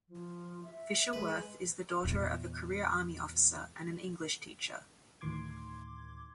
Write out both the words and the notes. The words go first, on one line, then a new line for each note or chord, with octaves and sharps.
Fisher-Wirth is the daughter of a career Army officer and an English teacher.
F3
E5
G#3 B4
E2 A#2
D2 A2 D#3 C6 D6 G#6